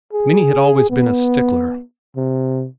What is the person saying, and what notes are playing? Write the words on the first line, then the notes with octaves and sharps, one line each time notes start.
Minnie had always been a stickler.
G#4
B3
C3